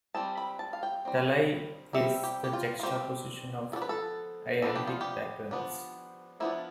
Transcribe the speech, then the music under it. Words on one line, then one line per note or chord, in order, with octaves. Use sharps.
Thalai is the juxtaposition of iambic patterns.
G3 C4 A5
B5
A5
F5
G5
G3 C4
G3 C4 E5
G4
G4
F4
F4
G3 C4 G4
F3 B3 D4 A4
B4
A4
F3 B3 D4 A4
G4
F4
G4
F3 B3 D4
F3 B3 D4 E4